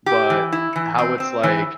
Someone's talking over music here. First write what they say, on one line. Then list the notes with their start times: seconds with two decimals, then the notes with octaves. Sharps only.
but, how it's like
0.06 G4
0.30 E3
0.52 E4
0.76 E3
0.98 C4
1.20 C4
1.43 E3